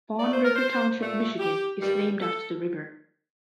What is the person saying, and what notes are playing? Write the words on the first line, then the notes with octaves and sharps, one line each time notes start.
Fawn River Township, Michigan is named after the river.
A#2 A3 D5
C5
A#4
C5
A#2 A3
G4
G2 D#3 G3
A4